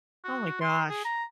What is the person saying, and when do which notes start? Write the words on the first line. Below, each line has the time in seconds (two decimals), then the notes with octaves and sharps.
Oh my gosh.
0.24 F#4
0.61 C6
0.89 G#4
1.05 A#5